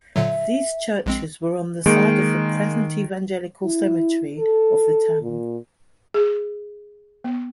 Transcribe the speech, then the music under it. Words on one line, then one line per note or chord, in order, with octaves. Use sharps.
These churches were on the site of the present Evangelical cemetery of the town.
A#2 D3 F#3 E5
A#1 G#3 C4
D#3 G#3 A#3
E4
A4
A#2
G#4
B3